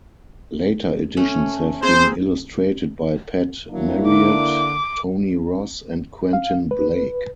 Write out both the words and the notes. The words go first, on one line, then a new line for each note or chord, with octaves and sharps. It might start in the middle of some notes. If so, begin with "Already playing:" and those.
Later editions have been illustrated by Pat Marriott, Tony Ross, and Quentin Blake.
A3 C#4
A#3 C4 G#4 C5
F#3 A#3 D4 E4
D3 D6
F5
B4